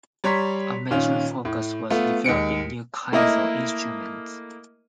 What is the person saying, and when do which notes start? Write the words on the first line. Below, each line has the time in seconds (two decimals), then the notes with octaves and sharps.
A major focus was developing new kinds of instruments.
0.24 G3 C#5 A#5 C6 B6
0.91 A#2 D#3 C#4 F4
1.45 A2
1.90 A3 B3 F4
2.24 D#2 G#3 C#7 D7
3.12 A3 A#3 E4 A#4 D#5